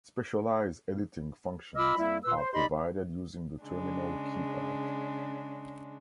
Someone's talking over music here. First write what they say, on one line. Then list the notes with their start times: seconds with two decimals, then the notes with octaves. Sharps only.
Specialized editing functions are provided using the terminal keypad.
1.75 F4 D#5 B5 D6 E6 F6
1.98 F2 G3 A#3 E4
2.25 A#2 B4 C6 E6
2.38 C5
2.54 D#4 G4 D5 D#5 B5 C6
3.64 C#3 G#3 D4